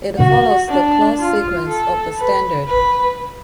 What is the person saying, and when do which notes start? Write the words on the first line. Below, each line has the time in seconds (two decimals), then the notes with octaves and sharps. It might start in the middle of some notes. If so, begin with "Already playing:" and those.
It follows the clause sequence of the Standard.
0.17 F#4
0.68 D4
1.18 F4
1.67 A4
2.18 B4
2.67 B4